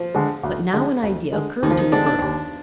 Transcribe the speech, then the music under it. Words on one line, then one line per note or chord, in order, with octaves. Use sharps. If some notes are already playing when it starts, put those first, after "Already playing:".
But now an idea occurred to the girl.
Already playing: F3
D3 G#3
D2
D3 G#3
D2
D3 G#3
D#2 D#3
F3
D#3
D3 G#3 C4 D4
D4
D#2